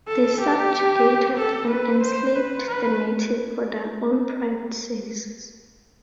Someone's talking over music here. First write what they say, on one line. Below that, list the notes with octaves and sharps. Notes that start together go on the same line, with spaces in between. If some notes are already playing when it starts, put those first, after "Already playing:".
They subjugated and enslaved the natives for their own private services.
A4
G4
A4
B4
C5
B4
B4